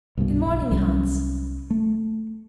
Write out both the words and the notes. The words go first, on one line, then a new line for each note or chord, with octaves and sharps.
'Good morning, Hans.
C2 G2 B2
E1 B1
C2 F#3 G3 C#4
A3